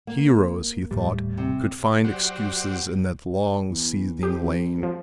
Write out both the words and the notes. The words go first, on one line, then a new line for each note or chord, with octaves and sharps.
Heroes, he thought, could find excuses in that long seething lane.
A#3
D#1 A2 G3
C3
F#3 F#4 G4 C5 D5
E2
F2 G4
F3